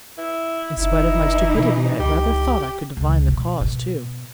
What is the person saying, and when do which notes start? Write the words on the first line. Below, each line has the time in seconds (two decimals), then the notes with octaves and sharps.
In spite of my stupidity I rather thought I could divine the cause too.
0.18 E4
0.77 F#1 E3 D#4 E4
1.56 B2
1.99 C#2 G4
2.97 C#2
3.28 B2
3.61 B2